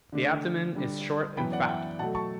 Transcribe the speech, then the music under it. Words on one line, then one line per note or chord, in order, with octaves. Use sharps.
The abdomen is short and fat.
D3 A3 D4
D3 G3 D4
F#2 E3 B3 G5 B5
D5 F#5
E5 G5
B2 F#3 A3 F#5 A5
A5 C#6